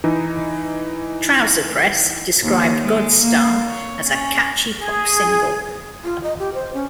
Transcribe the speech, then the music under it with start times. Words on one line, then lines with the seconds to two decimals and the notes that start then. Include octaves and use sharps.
"Trouser Press" described "Godstar" as "a catchy pop single".
0.04 E3 D#4
2.42 D#2
2.80 G#3
3.22 A#3
3.66 C#5
4.07 C#4
4.78 G#4
6.04 F4
6.23 D#5
6.39 G4
6.54 C5
6.74 C#4